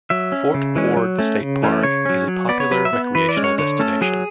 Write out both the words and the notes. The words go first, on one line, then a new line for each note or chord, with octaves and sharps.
Fort Ward State Park is a popular recreational destination.
F#3 E5
C#4
C#3
E3 G#3 C#4
F#3
A3 C#4
C#3
E3 A3 C#4
C#3 C#5
F#3 C#4
F#3
B3 D5
C#5
F#3 B4
E5
B3
E3 B4
D5
G#3 C#4
C#5
D3 C#5
A3 C#4 A4
F#3 G#4